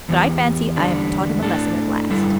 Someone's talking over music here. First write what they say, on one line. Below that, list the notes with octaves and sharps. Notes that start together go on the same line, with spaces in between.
But I fancy I have taught him a lesson at last.
E2 E3 B3 G4
E2 D3 G3 D4
A2 A3 D4 A4
G2 D3 G3 E4 A4